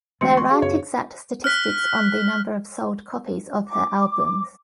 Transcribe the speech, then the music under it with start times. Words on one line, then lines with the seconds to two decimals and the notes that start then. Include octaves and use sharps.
There aren't exact statistics on the number of sold copies of her albums.
0.21 D2 E3 G#3 A3 C4 C6 C#7
0.37 C6 C#6
0.49 F#4 G#4 F5
0.62 F#2 C#3 C4 C#5
1.44 F6 F#6 B6
3.68 D6